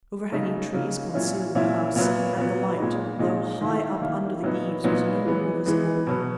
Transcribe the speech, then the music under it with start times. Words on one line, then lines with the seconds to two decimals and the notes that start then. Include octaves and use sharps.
Overhanging trees concealed the house, and the light, though high up under the eaves, was no longer visible.
0.32 C#3 F#3 A#3 D#4
0.73 C#3 F#3 A#3 D#4
1.14 A#2 F#3 C#4 E4
1.55 A#2 F#3 C#4 E4
1.96 A#2 F#3 B3
2.37 A#2 F#3 B3
2.78 A#2 G#3 D#4
3.19 A#2 G#3 D#4
3.61 D#3 A#3 E4
4.01 D#3 A#3 E4
4.43 A#2 F#3 B3 D#4
4.84 A#2 F#3 B3 D#4
5.25 E3 G#3 B3
5.66 E3 G#3 B3
6.07 B2 F#3 B3